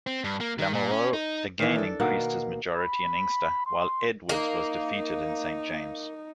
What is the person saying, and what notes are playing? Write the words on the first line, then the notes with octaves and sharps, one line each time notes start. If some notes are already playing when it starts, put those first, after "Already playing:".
Lamoureux again increased his majority in Inkster, while Edwards was defeated in Saint James.
C4
G2
A#3
D#3
A#2
C#4
D#4
D#3 E3
D4 A4
B2 D#3 A#3 F#5
B5
C6
A#3 D#4